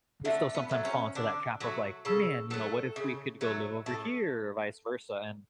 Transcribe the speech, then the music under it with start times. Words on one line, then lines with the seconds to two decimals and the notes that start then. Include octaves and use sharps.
we still sometimes fall into that trap of, like, "Man, you know, what if we could go live over here," or vice versa, and
0.25 D3 A3
0.55 B3
0.69 F#3 A3
0.85 C#4
1.15 D3 D4
1.60 F#3 A3 F#4
2.05 C#3 A4
2.50 F#3 A3 A4
2.96 C#3
3.41 F#3 A3
3.86 A2 A4